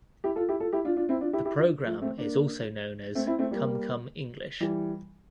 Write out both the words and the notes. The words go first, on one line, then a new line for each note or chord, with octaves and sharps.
The program is also known as "Come Come English".
E4 G4
F4 A4
E4 G4
F4 A4
E4 G4
D4 F4
D4 F4
C4 E4
D4 F4
E4 G4
E4 G4
D4 F4
F3 A3
A3 C4
A#3 D4
A3 C4
C4 E4
A3 C4
G3 A#3
E3 G3